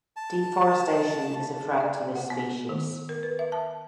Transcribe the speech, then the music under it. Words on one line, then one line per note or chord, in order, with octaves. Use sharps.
Deforestation is a threat to this species.
A5
D5
F#5
B3
D#3
A#4
B4
E5
A5